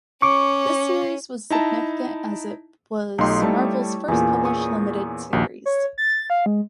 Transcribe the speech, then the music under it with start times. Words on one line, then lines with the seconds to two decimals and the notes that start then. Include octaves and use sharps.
This series was significant as it was Marvel's first published limited series.
0.22 C#4 C#6 D6
1.50 D#4 E4 A5 A#5
3.18 B1 A3 D#4 F4 G4 C6
3.42 G3 A3 E4 C#5 A5
4.08 E2 A#2 C#4 G#4
4.45 C#6 D#6
5.33 A#1 D#2 F#4 F#5
5.66 C#5
5.98 A6
6.30 F5
6.46 G#3